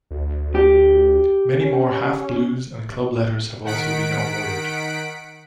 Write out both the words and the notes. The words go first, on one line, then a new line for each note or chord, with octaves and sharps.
Many more half blues and club letters have also been awarded.
D2
G4
C#4
D#3 F#5 B6 D7